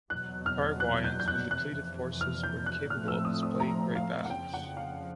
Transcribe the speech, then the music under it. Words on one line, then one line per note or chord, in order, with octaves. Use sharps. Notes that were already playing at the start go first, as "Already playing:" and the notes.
Paraguayans, with depleted forces, were incapable of displaying great battles.
E2 B2 F#3 F#6
F6
F#6
G6
G6
F#6
F2 C3 E3 F#6
F6
G6
F#6
A2 F3 A3 C4 F6
E6
D#6
D#6
A#5
F5
F#5
F2 C#3 F3 G5
F#5
F5